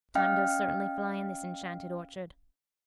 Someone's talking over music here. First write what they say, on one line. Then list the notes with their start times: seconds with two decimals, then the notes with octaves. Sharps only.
Time does certainly fly in this enchanted orchard.
0.15 C#4 D#5 F5 G5 F6